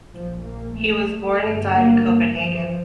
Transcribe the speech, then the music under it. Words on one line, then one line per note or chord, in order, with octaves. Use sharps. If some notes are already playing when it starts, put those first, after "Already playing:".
He was born and died in Copenhagen.
A#1 A#2 F3
A#3
A3
G1 G2
A#3
A#3
F3